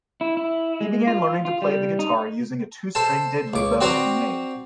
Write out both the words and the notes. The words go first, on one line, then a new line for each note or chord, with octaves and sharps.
He began learning to play the guitar using a two-string diddley bow he made.
E4
E4
G#3
F4
F4
G3
D#4
A4 C5 A5
C#2 D6
C4 F#4 C5 D5 G5 A#5